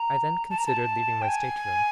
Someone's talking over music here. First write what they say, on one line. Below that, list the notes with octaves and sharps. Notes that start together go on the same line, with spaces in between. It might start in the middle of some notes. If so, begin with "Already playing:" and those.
I then considered leaving my stateroom.
Already playing: A#5
A5
A#5
A5
G5
G#5